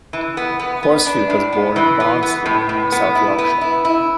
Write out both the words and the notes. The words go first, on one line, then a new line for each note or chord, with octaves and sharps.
Horsfield was born in Barnsley, South Yorkshire.
E3
B3
B3
B3
D4
A2
B3
E3
B3
B3
A2
A2
B3
E4
B3
E4
E4